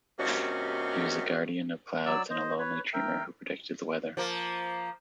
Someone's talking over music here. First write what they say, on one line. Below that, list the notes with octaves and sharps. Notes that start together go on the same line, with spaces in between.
He was a guardian of clouds and a lonely dreamer who predicted the weather.
G2 C3 A#3 C#4 F#4 D#5
F#3 D5 E6
C5 D#5
B4 C#5
A#4 E5 G5
F3 A#3